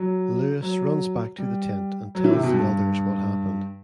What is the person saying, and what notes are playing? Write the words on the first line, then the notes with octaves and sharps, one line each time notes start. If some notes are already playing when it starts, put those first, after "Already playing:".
Lewis runs back to the tent and tells the others what happened.
Already playing: F#3
F#3
G3
F#3
E3
C3
B2
G2